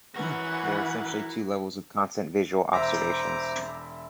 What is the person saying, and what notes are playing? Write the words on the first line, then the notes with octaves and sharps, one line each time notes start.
There are essentially two levels of constant visual observations.
E3 F#4 A#4 B4 F#5
E4
E1 C5 E5 A#5 D6